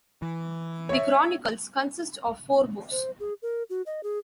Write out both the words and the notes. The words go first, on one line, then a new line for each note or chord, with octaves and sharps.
The chronicles consist of four books.
E3
C#5 E5
C5
G#4
A#4
F#4
D#5
G#4